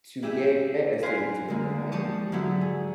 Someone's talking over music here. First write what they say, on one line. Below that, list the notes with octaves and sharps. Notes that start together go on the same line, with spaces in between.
To get a student with an IEP,
E4 G4 G#4 E5 G5
B4 C5 F5 G#5 C6
D3 G#3 A#3
F3 G4 A5 C#6 D#6
G#2 D3 F#3 E4
G#4